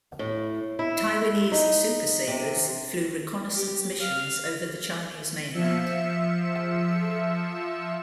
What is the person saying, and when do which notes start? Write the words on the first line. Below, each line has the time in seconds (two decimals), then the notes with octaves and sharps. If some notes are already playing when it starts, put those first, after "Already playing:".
Taiwanese Super Sabres flew reconnaissance missions over the Chinese mainland.
0.19 A2
0.79 E4
1.52 D#4
2.28 C3
3.55 G4
4.00 F5
5.52 F3 E5 C#7 E7